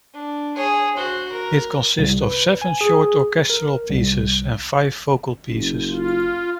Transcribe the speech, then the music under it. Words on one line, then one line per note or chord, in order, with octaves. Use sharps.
It consists of seven short orchestral pieces, and five vocal pieces.
D4
G#4 C#5
F#4 C5
A#4
C2
B4
G#5
G#4
A#4
C2
F#1
F4